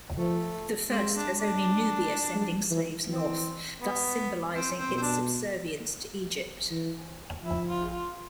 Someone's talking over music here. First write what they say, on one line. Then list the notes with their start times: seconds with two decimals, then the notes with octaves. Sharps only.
The first has only Nubia sending slaves north, thus symbolizing its subservience to Egypt.
0.17 F3 A3
0.89 G#3 C4
1.14 D4
1.38 D4
2.35 G#3
2.71 E3
3.08 E3 C4
3.80 B3
4.52 C4
4.77 C4
4.89 B2
4.97 C4
5.02 D4
6.70 E3
7.43 F3 E4
7.67 F4
7.91 F4